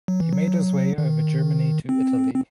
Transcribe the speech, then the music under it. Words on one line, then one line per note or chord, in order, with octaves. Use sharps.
He made his way over Germany to Italy.
F#3
E3
F#3
D#3
C4
C4